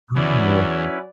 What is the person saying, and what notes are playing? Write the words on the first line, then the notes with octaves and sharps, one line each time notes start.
Oh, man.
E2 F#3 C#4 E4 B4 D5